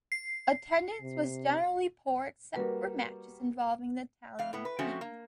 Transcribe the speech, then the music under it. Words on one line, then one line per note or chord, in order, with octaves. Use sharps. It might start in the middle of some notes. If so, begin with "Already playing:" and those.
Attendance was generally poor except for matches involving the Italian team.
C7
C3
G3 A#3 F#4 A#4 B4
F2 F5
A2 B3
B4
F3 F#3 A3 C4 C#4 F#4
A#3